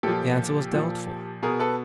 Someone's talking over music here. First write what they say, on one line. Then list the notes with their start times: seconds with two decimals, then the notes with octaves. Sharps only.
The answer was doubtful.
0.03 A#2 F3 G4 A4
0.73 A#2 F3
1.43 B2 G#4 A#4
1.60 A4 B4